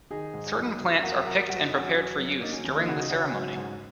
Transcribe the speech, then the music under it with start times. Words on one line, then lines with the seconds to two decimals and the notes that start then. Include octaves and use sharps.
Certain plants are picked and prepared for use during the ceremony.
0.11 D#3 D#4 G#4
0.34 G#2
0.58 F#2
0.81 F#2
1.03 F#2 F#4 A#4
1.26 F#2 F#4 A#4
1.49 F#2 F#4
1.62 D#4
1.72 F#3 C#4 F#4
1.95 F#2
2.18 F#3
2.41 F#3 A#3 D#4
2.53 C#4
2.64 D#2 C#4
2.75 A#3 D#4
2.88 C#3 F#4
2.98 D#4
3.10 C#3 C#4 F#4
3.33 F#3
3.56 G#2